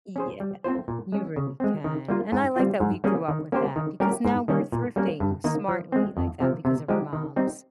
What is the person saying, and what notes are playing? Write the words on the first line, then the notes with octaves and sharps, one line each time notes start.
Y yeah, you really can and I like that we grew up with that, because now we're thrifting smartly like that because of our moms.
C#4 G#4 C5
G3
C4 F4 C5
A#2
G#3 C#4
C#3
G#3 C4
D#3
G3 A#3 F4
G#2
G3 C4 F4
G#2
G3 A#3 C#4 G#4
D#3
A#3 C#4 G4 C5
D#3
G3 C#4 G4 A#4
G#2
D#3 G3 C#4
A#2
G3 A#3 C#4
G2
D#3 A#3 D#4
F3
G#3 C4
F2
C3 F3
C3
F3 G#3 D#4 G4
D#3
G3 C4 D#4